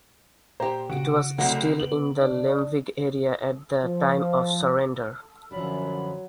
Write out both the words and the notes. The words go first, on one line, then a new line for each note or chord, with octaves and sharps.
It was still in the Lemvig area at the time of surrender.
A#2 G4 C5 A#5
C#3 F#4 D7
C2 F#3 A3 G#4 D#5 F#5
B3 F#7
D4
F3
F#2 D3 F3 F#3 D4 B5